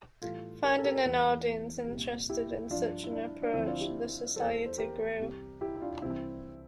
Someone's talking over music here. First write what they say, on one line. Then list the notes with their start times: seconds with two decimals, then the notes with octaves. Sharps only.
Finding an audience interested in such an approach, the Society grew.
0.22 A2 E3 G3 F4 A4
0.63 G4 A#4
0.79 A4
0.85 G4 A#4
1.05 E2 E3 G3
1.88 C2 A#2 G3
2.29 E4 G4
2.70 G2 F3 D4 F4
3.04 E4
3.13 D4
3.42 D4
3.53 D2 D3 F3 C4 E4
3.67 D4 F4
3.81 E4 G4
4.36 E2 E3 G3 A4 C5
4.66 C5
4.78 G4 A#4
5.19 C2 C3 G3
5.61 E4 G4
5.76 E4
5.81 D4 F4
6.02 C2 C3 E3 G3 C4 E4